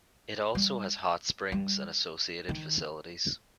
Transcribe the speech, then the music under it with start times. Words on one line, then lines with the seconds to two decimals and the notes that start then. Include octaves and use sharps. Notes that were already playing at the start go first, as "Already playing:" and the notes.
It also has hot springs and associated facilities.
0.55 G3
1.52 G3
2.49 D#3